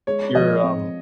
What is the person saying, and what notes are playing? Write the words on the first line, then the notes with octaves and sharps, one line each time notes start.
you're, um,
G#3 C#5
F3 D#5
C4